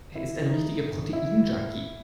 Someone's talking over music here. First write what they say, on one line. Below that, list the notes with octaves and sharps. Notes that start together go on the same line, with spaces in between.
Er ist ein richtiger Protein-Junkie.
E4
D#4
E4